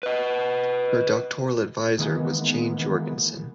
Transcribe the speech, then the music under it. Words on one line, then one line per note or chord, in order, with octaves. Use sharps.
Her doctoral advisor was Jane Jorgenson.
B4 D#5
D#3 E3 G#3 A#3 B3